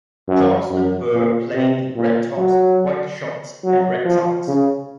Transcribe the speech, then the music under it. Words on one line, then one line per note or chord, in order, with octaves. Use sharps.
Johnstone Burgh play in red tops, white shorts and red socks.
F#2
F#2
A#2
C3
A#2
F#3
F#3
F3
C#3